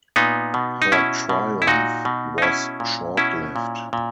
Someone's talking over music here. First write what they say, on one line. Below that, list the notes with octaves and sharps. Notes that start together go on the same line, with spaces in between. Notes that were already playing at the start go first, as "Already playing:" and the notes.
Her triumph was short-lived.
A#2 B3 D#4
B2
D#4
B2 C#4 E4
B2
E4
A#2 D#4 F#4
B2
D#4
B2 C#4 E4
A#2
B2 C#4 E4
A#2
A#2